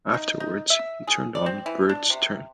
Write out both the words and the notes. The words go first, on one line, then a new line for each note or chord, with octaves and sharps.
Afterwards, he turned on the Byrds' Turn!
D#4
D#4
E5
G#4
D5
C4
E3
D4
C3